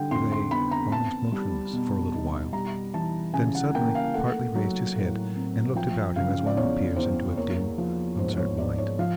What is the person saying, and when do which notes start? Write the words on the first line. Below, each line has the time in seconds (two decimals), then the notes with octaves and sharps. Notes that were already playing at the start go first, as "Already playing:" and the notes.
He lay almost motionless for a little while, then suddenly partly raised his head and looked about him as one who peers into a dim uncertain light.
Already playing: D3 G3 F#5 G5
0.11 F2 C6
0.32 C6
0.51 B3 B5
0.71 A#5
0.92 B3 A5
1.32 G3
1.73 B2
2.14 D#4
2.53 G3 A#5
2.94 E3 A5
3.33 C#3 G#5
3.55 F#5
3.75 A#3 G5
3.95 F5
4.14 A3 F#5
4.55 F#3
4.95 A2
5.36 C4
5.75 F3 G5
6.16 C#3 F5
6.47 D5
6.56 E2 C#5
6.96 E2 C5
7.37 A#3 C#5
7.78 F3
8.18 G#2 C5
8.33 C5
8.38 C#5
8.58 G#2 D5
8.78 C#5
8.99 F3 F5